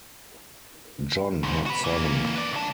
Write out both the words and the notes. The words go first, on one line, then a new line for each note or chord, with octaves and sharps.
John had seven.
E2 G#2
F#4 B4
E3 A#3
B4 D5
C#2 D4